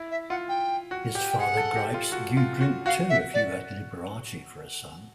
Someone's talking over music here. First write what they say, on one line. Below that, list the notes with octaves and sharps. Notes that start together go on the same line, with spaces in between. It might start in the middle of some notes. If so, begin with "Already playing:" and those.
His father gripes, You'd drink too if you had Liberace for a son.
Already playing: E4
E5
F4 F#5
G5
F#4
G4
G5
G#4 F#5
A4
G4
F4
F#4
F4
F#4
F#4 F5
E5
D5